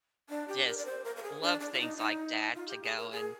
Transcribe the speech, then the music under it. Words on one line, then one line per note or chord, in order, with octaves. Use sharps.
just love things like that to go and
D4
G4
A#4
D5
C5
A#4
A#4
G#4
D4
D4
F4
D#4
D#4
F4
G4
G#4
A#4
G#4